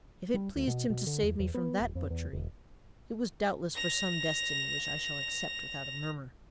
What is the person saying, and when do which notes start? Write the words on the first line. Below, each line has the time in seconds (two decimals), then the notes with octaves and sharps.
If it pleased him to save me from that butchery, it was doubtless for some destiny which I shall accept without a murmur.
0.34 G3
0.56 D2
0.67 B2
0.90 B2
1.07 D3
1.23 E2
1.40 E2
1.54 B3
1.80 D#1
1.95 F2
2.10 E2
2.33 E1
3.75 A#6 F7